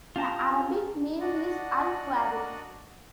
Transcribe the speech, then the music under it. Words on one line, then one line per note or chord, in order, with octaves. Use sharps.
The Arabic name is Al-Quwarib.
F4 G4 A5 A#5
D4 F#4 D5 D#5 F#5